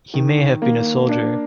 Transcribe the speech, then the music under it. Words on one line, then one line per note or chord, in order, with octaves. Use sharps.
He may have been a soldier.
D#3
A#3
D4